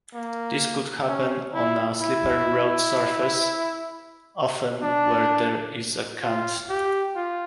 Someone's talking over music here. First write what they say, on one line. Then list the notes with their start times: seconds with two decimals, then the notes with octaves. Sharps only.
This could happen on a slippery road surface, often where there is a cant.
0.14 A#3
1.08 C#4
1.54 E4
2.01 E4
4.82 D4
6.22 F4
6.69 G4
7.16 F4